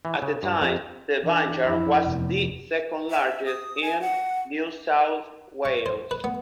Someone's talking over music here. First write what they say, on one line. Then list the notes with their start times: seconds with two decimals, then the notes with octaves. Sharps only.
At the time the vineyard was the second largest in New South Wales.
0.05 E3
0.22 C#3
0.43 G2
0.61 F2
1.22 E3 D4
1.66 F2 E4
2.05 F1 E2
3.10 E5
3.46 D#6
3.82 G#5
4.01 F#5
5.65 C#6
5.86 C5
6.11 B4
6.24 B3